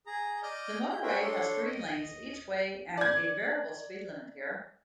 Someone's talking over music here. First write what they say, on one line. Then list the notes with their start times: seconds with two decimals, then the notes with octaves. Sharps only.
The motorway has three lanes each way and a variable speed limit here.
0.06 G#4 A#5
0.43 D5 D#5 F6 G6
0.90 G6
1.02 F#4 G#4 A#4 C5 E5 G5
1.21 D4 A4 C#5 C6
1.66 D#5
2.97 D5 G#6